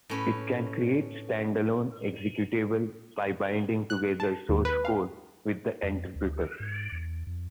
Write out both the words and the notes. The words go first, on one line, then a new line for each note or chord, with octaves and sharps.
It can create stand-alone executables by binding together source code with the interpreter.
A2 C#4 B4
F#6
A5
D#2
B4
F5
F2
D2
G#2
E2
F2